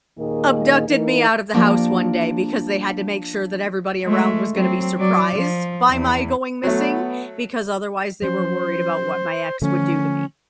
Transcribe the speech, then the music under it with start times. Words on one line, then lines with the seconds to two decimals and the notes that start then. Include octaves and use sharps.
abducted me out of the house one day because they had to make sure that everybody around was gonna be surprised by my going missing because otherwise they were worried about what my ex would do to me.
0.18 D#2 A#2 D#3 A#3 G#4 D#5
0.87 E3 A#3 D#4
1.54 F3 A#3 D4 F4 G4
4.04 G#3 A3
4.54 F#3 C4
4.97 F#3 D5
5.35 F3
5.90 E2
6.63 F#3 A3 B3
8.22 F3 F#3 C#4 C5
9.62 D3 F3 A3 C#4